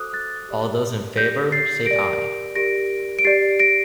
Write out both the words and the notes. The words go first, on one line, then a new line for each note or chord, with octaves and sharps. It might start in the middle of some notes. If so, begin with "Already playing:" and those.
All those in favour, say Aye.
Already playing: F#4 A4 C5 D6 D#6 F#6
F#6 A6
G4 D5
G4 D5 G6 A#6
A6 C7
G4 A#4 D5 A#6 D7
G4 A#4 D5 A#6 D7
D7
G4 D5 A6 C7
A#6 D7